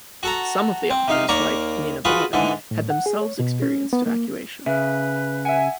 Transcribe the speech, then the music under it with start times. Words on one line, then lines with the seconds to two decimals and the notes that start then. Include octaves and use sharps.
Some of the authors, like Nina Bawden, had themselves experienced evacuation.
0.23 F#4 A4 A#5
0.90 C4
1.08 C3 D#4 F5
1.28 D#2 A#3 D5 A#5 C#6
2.05 F4 F#4 G#4 B4
2.33 G#2 D3 E3
2.71 A2
2.90 F#5
3.06 G#4
3.21 C#5
3.39 B2
3.62 C#4
3.93 B3
4.06 A#3
4.66 C#3 B4 E5
5.45 E5 F#5 G#5